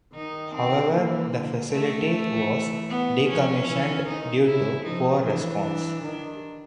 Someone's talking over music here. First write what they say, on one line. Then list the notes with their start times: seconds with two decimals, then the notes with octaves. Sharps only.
However the facility was decommissioned due to poor response.
0.15 D#3 D#4
0.54 C4
0.93 E3 A#3
1.33 D3
1.72 D#3 A3
2.11 E3
2.90 B3
3.29 F3 C#4
3.68 E3
4.07 D#3 D#4
4.46 C#3 E4
4.85 F3 D#4
5.24 E3 D4
5.64 D4
6.03 D#3